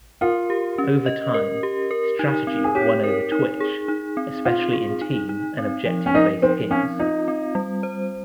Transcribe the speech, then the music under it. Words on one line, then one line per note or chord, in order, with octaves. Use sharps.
Over time, strategy won over twitch, especially in team- and objective-based games.
F4 A#4
G4
C#4
D#5
A#4
G4
A#4
D#4
C4
G#4
G4 C#5
A#4
D#4
G#4
D#4
C4
C4 F4
G#4
D#4
D#4
C4
F3
C#4
D#4 A#4
C4 D#4
C4 C#4
D#4 F4
C4
G3
C5